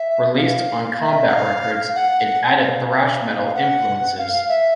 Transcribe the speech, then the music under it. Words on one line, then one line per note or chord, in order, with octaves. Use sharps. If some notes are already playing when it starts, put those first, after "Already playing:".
Released on Combat Records, it added thrash metal influences.
Already playing: E5
F5
E5
F#5
F5
F#5
F5
F5
F5
F#5
F5
F5
E5